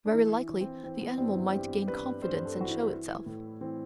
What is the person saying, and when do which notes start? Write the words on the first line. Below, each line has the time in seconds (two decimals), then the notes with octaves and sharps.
Very likely the animal might gain confidence and show itself.
0.06 D4
0.14 E3 E4
0.49 E3
0.61 C4
0.84 E3 C4
1.01 B3
1.18 G2 C4
1.35 E4
1.52 G2 G4
1.88 G2 B4
2.22 G2 C5
2.45 A4
2.57 E3 F#4
2.68 E4
2.91 E3
3.26 A2
3.61 E3 C4